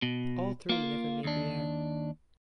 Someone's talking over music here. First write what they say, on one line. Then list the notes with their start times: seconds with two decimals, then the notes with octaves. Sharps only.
All three never made the air.
0.02 B2
0.70 A#3 F4
1.24 D#2 D4